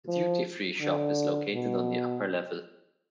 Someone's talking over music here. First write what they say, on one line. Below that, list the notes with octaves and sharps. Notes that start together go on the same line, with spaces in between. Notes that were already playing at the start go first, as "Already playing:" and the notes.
The duty-free shop is located on the upper level.
F3
D3
B2